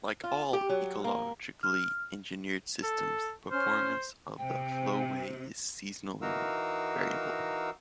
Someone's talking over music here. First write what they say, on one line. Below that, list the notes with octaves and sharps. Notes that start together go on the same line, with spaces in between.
Like all ecologically engineered systems, the performance of the flow-way is seasonally variable.
F4
G4
F#3
A#3
F6
A4
C#4 C5 F6
C3 G5
E3 D#4 F#4 A#4 F5 E6